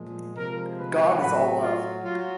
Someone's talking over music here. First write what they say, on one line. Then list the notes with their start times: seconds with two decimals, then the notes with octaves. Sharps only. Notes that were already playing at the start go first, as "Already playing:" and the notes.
God is all love.
Already playing: A#2 F3 G#3
0.34 C3 F3 G#3 A#4
0.77 B4
1.19 A2 F#3 B4
1.61 F4
2.03 F#3 F4